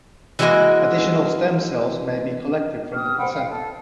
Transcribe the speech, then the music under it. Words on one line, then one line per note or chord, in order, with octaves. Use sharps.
Additional stem cells may be collected from the placenta.
E3 G3 G#3 A#3 F#4 D#5
G4 D#6 F6
C5 F#5 G5 B5
F5 G5
A4